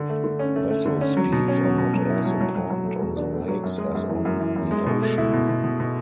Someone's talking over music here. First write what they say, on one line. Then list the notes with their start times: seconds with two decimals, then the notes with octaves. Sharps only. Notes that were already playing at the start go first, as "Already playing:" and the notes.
Vessel speeds are not as important on the Lakes as on the ocean.
Already playing: D3
0.09 A3
0.24 D3
0.39 C#4
0.56 A3
0.70 A3
0.85 D3
1.01 C#4
1.17 F#3
1.32 B2
1.48 C#4
1.63 F#3
1.78 B2
1.93 F#3
2.10 E4
2.25 F#3
2.41 F#3
2.55 F#3
2.70 F#3
2.86 A3
3.01 F#3
3.17 D4
3.33 A3
3.48 F#3
3.63 F#2
3.79 G#3
3.95 F#2
4.09 E3
4.25 F#2
4.40 E3
4.56 F#2
4.71 G#3
4.86 B2
5.02 A3
5.18 E4
5.33 B2
5.49 B2
5.64 B2
5.80 B2